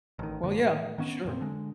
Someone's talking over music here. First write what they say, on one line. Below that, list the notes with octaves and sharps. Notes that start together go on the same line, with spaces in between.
Well, yeah, sure.
A1 D#3
F#2 D3 F3 A#3
A2
D#3 B3 C#4
F2 A#2 C4
D3 G#3